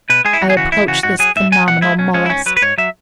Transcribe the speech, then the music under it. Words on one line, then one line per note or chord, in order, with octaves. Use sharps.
I approached this phenomenal mollusk.
B2 B4
G#3 G#4
E4
E2 F#4
G#4
C#3 E3 F#4
E2 E4
C#3 E3 F#4
G#2 F#4
F#3 G#4
G#2 E5
F#3 G#5
B2 F#5
G#3 E4
B2 C#4
G#3 C#4
E4
G#2 C#4
F#3 B4
B4
G#2 C#5
F#3 E5